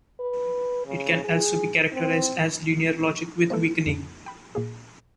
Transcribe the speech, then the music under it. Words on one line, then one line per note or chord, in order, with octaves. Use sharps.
It can also be characterized as linear logic with weakening.
B4
C#3
G#4
C4
F3 G#3 A#3 E4 A4 B4
F2 A2 C#3
G5 B5
A#2 A#3 G#4